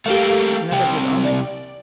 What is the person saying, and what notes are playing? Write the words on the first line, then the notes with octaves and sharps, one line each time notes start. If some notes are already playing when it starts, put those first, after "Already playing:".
It's another good omen.
A3 A#3 G4 A4 F5
C2 C3 G5
D5